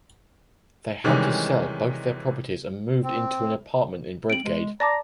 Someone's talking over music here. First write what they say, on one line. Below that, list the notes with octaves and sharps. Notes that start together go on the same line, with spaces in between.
They had to sell both their properties and moved into an apartment in Bredgade.
C3 D#3 E3 G3 G#3 C#4
C4
C4 D7 F#7
G#3
D5 A5 A#5 D6